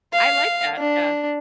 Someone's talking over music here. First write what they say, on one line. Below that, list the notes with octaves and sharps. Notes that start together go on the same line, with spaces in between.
I like that, yeah.
F5
D4